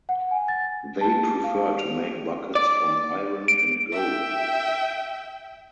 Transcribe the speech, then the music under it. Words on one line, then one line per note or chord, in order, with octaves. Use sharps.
They preferred to make buckets from iron and gold.
F#5
G#5
A6
A5
F5
G4
F7
D5
D7
E5 G5